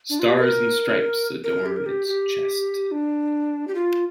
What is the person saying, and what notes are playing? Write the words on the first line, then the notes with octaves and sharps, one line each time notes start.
Stars and stripes adorn its chest.
D4
F4
G4
A#4
A#4
G4
A#4
G4
G4
D4
G4
F4